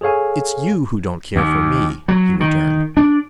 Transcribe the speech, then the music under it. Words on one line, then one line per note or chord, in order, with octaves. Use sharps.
"It's you who don't care for me," he returned.
G#4 A4 C#5 F5 G#5
D#2
F#3
D#3
D4